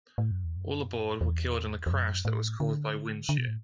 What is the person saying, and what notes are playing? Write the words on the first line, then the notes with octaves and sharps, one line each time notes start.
All aboard were killed in a crash that was caused by wind shear.
A2
F#2
E2
F#2
E2
E2
F#2
A2
D3
D3
B2
A2